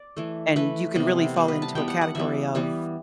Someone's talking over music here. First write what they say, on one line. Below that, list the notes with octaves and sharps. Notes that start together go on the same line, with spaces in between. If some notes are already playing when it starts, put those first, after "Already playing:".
And you can really fall into a category of,
Already playing: D5
E3 A3
E3 A3 B4
C3 G3 B3
C3 G3 B3
B4
A5
E3 G3 B3 G5
F#5
F#5
E3 G3 B3 E5
E3 G3 B3